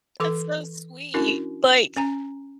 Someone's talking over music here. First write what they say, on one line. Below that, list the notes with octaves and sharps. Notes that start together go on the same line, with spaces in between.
That's so sweet like,
E3 A4 D6
C#4 D4 E4 F#4 A#4
C#4 G#5 A#5